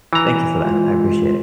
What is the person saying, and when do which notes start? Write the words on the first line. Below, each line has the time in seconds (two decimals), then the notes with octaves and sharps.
thank you for that. I appreciate it.
0.13 E3 A#5
0.58 G#3 F4